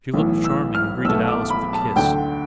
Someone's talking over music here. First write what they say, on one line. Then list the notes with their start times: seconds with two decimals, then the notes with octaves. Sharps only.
She looked charming, and greeted Alice with a kiss.
0.14 B1 A2 E3
0.44 E6
0.75 F6
1.05 B1 B2 A3 E6
1.28 D6
1.50 B5
1.73 A5
1.96 D2 D3 A3 G5